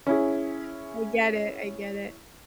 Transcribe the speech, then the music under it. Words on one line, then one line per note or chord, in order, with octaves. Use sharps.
I get it, I get it,
C#4 E4 G#4